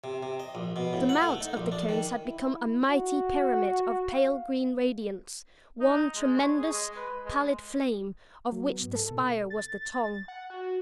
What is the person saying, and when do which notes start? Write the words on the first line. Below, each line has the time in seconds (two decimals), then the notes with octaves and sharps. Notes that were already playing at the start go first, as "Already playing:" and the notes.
The mount of the cones had become a mighty pyramid of pale green radiance--one tremendous, pallid flame, of which the spire was the tongue.
0.04 C3
0.23 C3
0.40 D#5
0.55 A#1
0.76 B2
0.93 A2
1.09 F#5
1.22 A3
1.40 D#4
1.57 A#1
1.72 D4
1.89 D#3
2.25 E4
2.88 F#4
4.11 F5
5.80 D#4
6.15 G#3
6.37 C#5
6.58 G#4
6.73 G#3
6.97 B4
7.26 G#3
8.52 F#3
8.65 B3
8.82 G#2
8.95 A4
9.11 B2
9.50 A6
9.92 A6
10.28 F#5
10.50 F#4